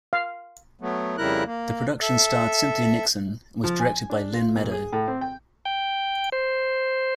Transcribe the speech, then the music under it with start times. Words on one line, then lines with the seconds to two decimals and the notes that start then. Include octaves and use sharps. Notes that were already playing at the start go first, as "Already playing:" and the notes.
The production starred Cynthia Nixon and was directed by Lynne Meadow.
0.13 F5
0.81 F#3 A3 B3
1.18 F2 C#3 G3 E4 A#4 F#6
1.46 A#3
2.02 A4 E5
3.64 F3
3.80 G#5
4.10 D4
4.34 F4
4.56 A#2
4.71 G#4
4.93 A2
5.08 C4
5.21 G5
5.65 G5
6.32 C5